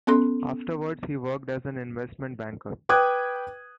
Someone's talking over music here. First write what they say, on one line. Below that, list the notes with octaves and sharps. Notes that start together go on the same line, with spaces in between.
Afterwards, he worked as an investment banker.
B3 C#4 A4 C6
B4 G5 D6 D#6 F#6 G#6